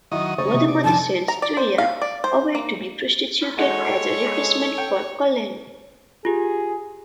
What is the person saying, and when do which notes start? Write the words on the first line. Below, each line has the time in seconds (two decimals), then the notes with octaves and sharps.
Madhumati sends Chuyia away to be prostituted as a replacement for Kalyani.
0.11 D#3 F#3 E4 D#5
0.38 C#3 C#4 D#4 C5 A6
0.54 C3
0.68 D5
0.84 F2 D3 G#5 A5
1.28 A#5
1.42 D5
1.57 C5
1.78 F5
2.02 D5
2.24 C5
2.55 A#3
3.58 G#3 D#4 F#4 A4 C#5 D#5
4.78 G5
6.25 F4 G4 G#4